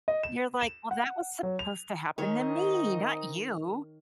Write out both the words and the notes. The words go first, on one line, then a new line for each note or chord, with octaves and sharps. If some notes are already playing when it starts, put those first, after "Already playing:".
you're like, "Well, that was supposed to happen to me, not you."
D#5
E7
E7
F#5
F#3
F7
D#3 C4 D#4 C#5 D#5